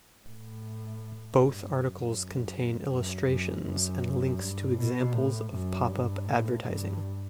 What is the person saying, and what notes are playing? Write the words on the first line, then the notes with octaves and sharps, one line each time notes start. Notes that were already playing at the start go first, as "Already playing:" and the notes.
Both articles contain illustrations and links to examples of pop-up advertising.
A2
G2
F#2
F#2
F#2
F#2
G2
B2
A2
F#2
G2
A2
G2